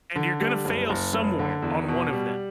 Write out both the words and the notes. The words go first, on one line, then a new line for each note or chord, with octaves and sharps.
And you're gonna fail somewhere on one of them.
D3
G3
F#1
F#1
F#1
D3
E2
B2
G3